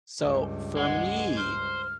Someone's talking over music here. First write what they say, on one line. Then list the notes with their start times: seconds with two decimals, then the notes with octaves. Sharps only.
So, for me,
0.20 C#2 G2
0.77 G#3 F#5
1.37 C5 F6